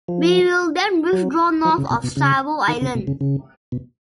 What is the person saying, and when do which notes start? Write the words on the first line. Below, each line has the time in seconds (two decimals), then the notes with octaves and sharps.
We will then withdraw north of Savo Island.
0.08 F3
1.13 F#3
1.65 F3
1.78 C#3
1.91 B2
2.04 B2
2.17 C#3
2.68 D#3
2.81 C#3
2.95 B2
3.07 C#3
3.21 C#3
3.72 B2